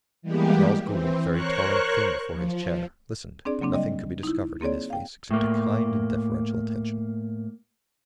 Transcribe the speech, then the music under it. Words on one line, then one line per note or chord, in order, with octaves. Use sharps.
Charles Gould, very tall and thin before his chair, listened, but nothing could be discovered in his face except a kind and deferential attention.
E3 G3 G#3 A#3 B3 G4
E3 C4
A#4 C5 C#5 C#6 F#6
F3
C4 D4 G#4 D5
C#3 F#3 A#3 C4 D4
G3 D5 D#5
D#4 E4
A#3 C4 G#4 C#5 D5
F5 G5
A2 A#3